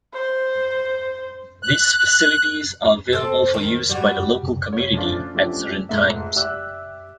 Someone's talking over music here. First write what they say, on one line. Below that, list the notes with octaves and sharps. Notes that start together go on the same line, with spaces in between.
These facilities are available for use by the local community at certain times.
C5
F#6
C4 A4
D#3
G3 F#4
C#5
F3 A3 C#4 D4 F4
F3 A3 C#4 D4 G4
F1 G#2 A3 E5
G4 D5 E5 E6 F#6